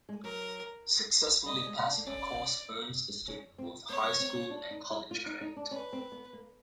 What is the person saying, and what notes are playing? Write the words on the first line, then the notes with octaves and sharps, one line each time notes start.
Successfully passing a course earns a student both high school and college credit.
G#3
F#3 A#4
G3 D#5
G#3
D4
C#4 D5
C#4
C4
B3 C#5
B3
C4
C#4
D4
D#4
E4
F4
D#4
D#4
D4
C#4 B4
C4
B3
A#3